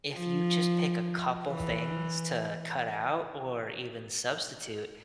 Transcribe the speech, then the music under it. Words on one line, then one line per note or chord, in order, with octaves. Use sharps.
if you just pick a couple things to cut out or even substitute,
F3
E3